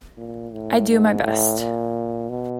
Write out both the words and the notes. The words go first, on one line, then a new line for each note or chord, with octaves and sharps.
I do my best.
A#2
A2
G#2
A2
A#2
B2